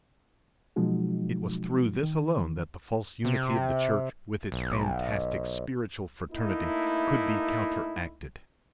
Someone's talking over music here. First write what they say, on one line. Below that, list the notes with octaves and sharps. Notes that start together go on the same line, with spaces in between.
It was through this alone that the false unity of the Church with its fantastic spiritual fraternity could be counteracted.
B2 F3 F#3 G#3 D#4 F#4
D#3
C3
B1
A3 A#3 D#4 E4